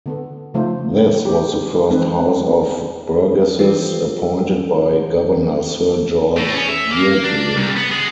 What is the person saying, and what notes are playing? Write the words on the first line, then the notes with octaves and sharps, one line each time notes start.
This was the first House of Burgesses appointed by Governor Sir George Yeardley.
D3 B3 A4
C#3 F3 A3 D#4 F4 C5
G4
E3 G#3 C4 D#4 B4
E3 F3 B3 C4 A4 B4
A2
C#4
E5
A#3
D4
C2
B3
G#3